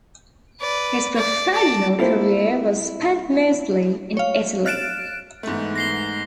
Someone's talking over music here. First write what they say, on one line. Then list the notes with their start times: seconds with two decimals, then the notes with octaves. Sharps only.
His professional career was spent mostly in Italy.
0.61 B4 D5
1.16 D5
1.53 D5 A5
1.99 G3 A#3 C4 E4 F4 A4
4.17 C#5 F5
4.66 F6 F#6 A6 D7 E7
5.43 G#2 E3 G#3 A3 B3
5.76 A#6 C7 G7